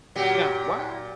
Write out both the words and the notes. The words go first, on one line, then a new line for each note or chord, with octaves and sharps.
Now, why
A#2 F#3 G4